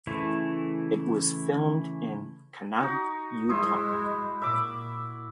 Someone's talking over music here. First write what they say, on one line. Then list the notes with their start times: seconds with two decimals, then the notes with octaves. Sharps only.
It was filmed in Kanab, Utah.
0.07 C#3 E3 A3 E4
2.80 D#4 F#4
3.49 G#3 E4 C5 D#6
4.42 A#2 E5 B5 D6